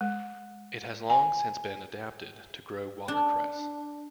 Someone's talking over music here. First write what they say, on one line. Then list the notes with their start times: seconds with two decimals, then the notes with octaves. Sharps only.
It has long since been adapted to grow watercress.
0.01 G#3
1.10 G#5
3.08 D4